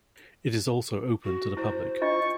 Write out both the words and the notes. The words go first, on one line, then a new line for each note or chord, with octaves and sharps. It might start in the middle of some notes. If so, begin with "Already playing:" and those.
It is also open to the public.
F#4
E4 C5
D4 F4 D#5 C#6